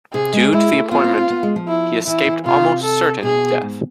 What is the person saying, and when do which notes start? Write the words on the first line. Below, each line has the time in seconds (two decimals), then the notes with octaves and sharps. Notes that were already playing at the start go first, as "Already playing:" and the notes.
Due to the appointment, he escaped almost certain death.
0.13 C3 G#4
0.33 G#3
0.53 G#3 E4
0.72 A3
0.91 B3 F4
1.04 C4
1.17 C4
1.30 B3
1.43 G#3
1.56 F3
1.68 E4
2.07 E3 E4
2.26 E3
2.45 C3 F4
2.84 A4
3.23 B2 G#4
3.62 G#2